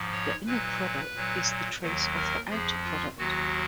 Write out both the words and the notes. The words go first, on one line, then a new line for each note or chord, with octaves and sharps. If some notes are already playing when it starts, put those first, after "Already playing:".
The inner product is the trace of the outer product.
Already playing: G#2 F3
C#5
A#2 F#3 B4
A#2 F#3
D#2 D#3 F#3
A#4
F2 F3 G#4
F4
D#2 D#3 F#3 F#4